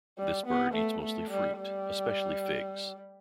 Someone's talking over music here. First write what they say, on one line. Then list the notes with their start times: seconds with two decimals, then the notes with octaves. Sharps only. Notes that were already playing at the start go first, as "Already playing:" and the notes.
This bird eats mostly fruit, especially figs.
0.18 G3
0.47 B3
0.74 A3
1.03 A3
1.31 G3
1.59 G3